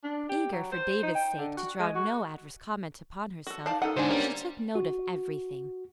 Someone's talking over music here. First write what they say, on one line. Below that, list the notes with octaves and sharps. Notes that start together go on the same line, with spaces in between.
Eager, for David's sake, to draw no adverse comment upon herself, she took note of everything.
D4
G4
F#3
C5
D#4
G5
D3
F#4
G#3
F#4
F#4 A4
D#4 D5 F5 F#5 A5
D#3 D#4 A4 F#5
G#2 D3 D4 D#4 F#4 C5 G#5
G3 A#3 B3 C#4
F#4